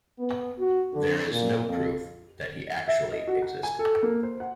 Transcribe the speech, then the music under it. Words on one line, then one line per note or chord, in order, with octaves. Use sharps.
There is no proof that he actually existed.
B3
F#4
D3
A#2
F2
E5
D#5
F#4
F#5
G#5
A4
A#3
C5
F#5